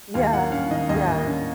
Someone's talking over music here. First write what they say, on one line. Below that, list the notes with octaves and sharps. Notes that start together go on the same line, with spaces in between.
Yeah, yeah.
D#2 F5
A#3 F#5
C#4 F5
D#3 D#5
D#2 D#5
A#3
C#4